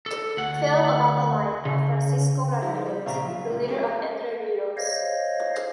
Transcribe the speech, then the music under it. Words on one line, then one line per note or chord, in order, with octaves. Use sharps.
Film about the life of Francisco Ramírez, the leader of Entre Ríos.
A4
D2 F#5
C#3
F3 G3 C4 D#4 E4 G4
G3 C4
A#2 C#3 E5 F5 A#5
F#3 F4 E5
C#2
F3 G#3 C#4 G4 G#4
C5 C#5 D#5 F5